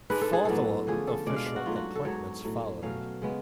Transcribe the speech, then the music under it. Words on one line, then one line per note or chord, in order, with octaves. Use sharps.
Further official appointments followed.
G#2 G#3 D4 B4
A4
G#4
A2 F#3 B3 D4 A4
D3 F3 A3 C#4 G#4
A4
B2 G#3 D4 D5
F5
D5
F#4
G#2 F#3 A3 F4
F#4
A4
G#2 F#3 B3 D4 C#5
A2 F#3 A3
B2 F#3 A3 C#4 F5
C#3 G#3 B3